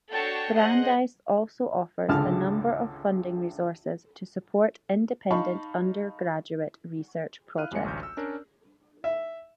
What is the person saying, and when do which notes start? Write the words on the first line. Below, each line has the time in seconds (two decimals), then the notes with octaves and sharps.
Brandeis also offers a number of funding resources to support independent undergraduate research projects.
0.11 D4 F#4 A4 C#5 G5 A5
0.56 G#4 C5 D#5 F#5 F#6
2.09 G#1 C#2 D3 A5 F6
5.31 D#4 F5 A5 B5 C#6
7.57 E4 F5 F6 F#6 D#7
7.71 F2 G3 G#3 A#3 G#5 C#7
7.84 A1 D2 G6
8.03 E6
8.17 C#4 D4 A#4 D5
9.04 E5